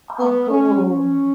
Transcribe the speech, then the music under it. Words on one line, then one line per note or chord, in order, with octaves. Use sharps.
Oh, cool.
B3
C#4
C#4